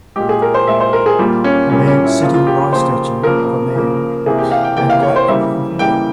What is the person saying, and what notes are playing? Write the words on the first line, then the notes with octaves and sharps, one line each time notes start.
A man sitting by a statue of a man at a laptop computer.
A#2 G#3 G4
G#4
A#4
C5
A#2 G#3 E5
C5
A#4
G#4
A#2 G3 A#3 F4
C#4
A#2 G3 A#3 C#4
C#4
E4
C#3 F3 A#3 F4
F4
G4
C#3 F3 A#3 C5
C#3 F3 A#3 A#4
C#3 F3 A#3
C3 E3 A#3 G#4
G4
F5
G5
C3 E3 A#3 G5
F5
C#5
C5
C#3 E3 G3 A#3 E5
C#3 E3 G3 A#3 G5